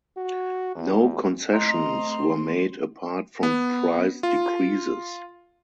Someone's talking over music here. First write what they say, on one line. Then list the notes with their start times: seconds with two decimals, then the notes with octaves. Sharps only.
No concessions were made apart from price decreases.
0.18 F#4
0.75 E2
1.52 A3 C4 C5 D#5 A#5 C6
3.43 B3
4.23 F4